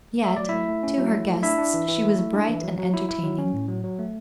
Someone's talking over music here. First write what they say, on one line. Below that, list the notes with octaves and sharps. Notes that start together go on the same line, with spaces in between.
Yet, to her guests she was bright and entertaining.
A3 E5
F#3 D5
A3 E4 E5
A3
C#4
F#3
A3
A3
D4 E4 E5
D4
E3
E3
A3
A3
D4
E3
F#3
F#3
E4
E4
F#3
C#4
A2
F#3
F#3
A3